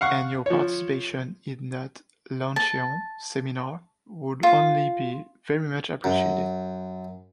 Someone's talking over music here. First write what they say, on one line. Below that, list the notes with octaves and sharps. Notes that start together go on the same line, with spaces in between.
And your participation in that luncheon seminar would only be very much appreciated.
F5 F#5 C#6
F3 C#5
A5
F4
F#2